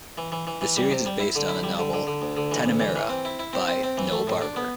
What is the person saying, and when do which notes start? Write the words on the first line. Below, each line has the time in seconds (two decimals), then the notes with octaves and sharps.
The series is based on the novel, "Tanamera", by Noel Barber.
0.18 E3
0.32 E3
0.47 E3
0.61 E3
0.77 G3
0.91 C3
1.06 G3
1.20 E4
1.35 D3
1.49 E4
1.63 G3
1.79 D3
1.93 D3
2.07 D3
2.22 D2
2.37 D3
2.52 E3
2.66 D2
2.80 E3
2.96 E3
3.09 C4
3.25 E4
3.39 E4
3.53 C4
3.68 C4
3.83 C4
3.98 E3
4.12 A3
4.27 A2
4.42 D4
4.56 B3